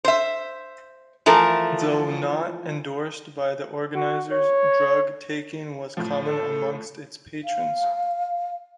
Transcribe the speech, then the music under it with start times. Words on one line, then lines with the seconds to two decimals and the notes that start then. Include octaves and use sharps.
Though not endorsed by the organisers drug taking was common amongst its patrons.
0.04 C5 E5
1.26 E3 F3 A3 A#4
3.95 F#4
4.32 C#5
5.97 A2 F3
6.26 A4
7.44 F5